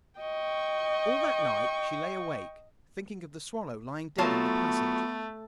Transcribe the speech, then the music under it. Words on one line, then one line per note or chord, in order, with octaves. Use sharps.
All that night she lay awake, thinking of the swallow lying dead in the passage.
D#5 G5 C#6
F#3 A3 B3 F4 A5